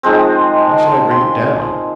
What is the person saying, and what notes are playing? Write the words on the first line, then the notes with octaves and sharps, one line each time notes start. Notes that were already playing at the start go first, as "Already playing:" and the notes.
Why should I bring it down?
D#3 F3 G#3 C4
C6